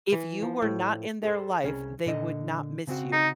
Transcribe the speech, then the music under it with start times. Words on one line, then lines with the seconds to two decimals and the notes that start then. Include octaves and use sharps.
"if you were not in their life, they would not miss you."
0.12 E3
0.42 F3
0.62 A2
1.23 G#4 A4 C5
1.64 C2 C#4 G#4
2.06 A#2 D3 D#5
2.87 C#3 C4 F#4
3.12 D#4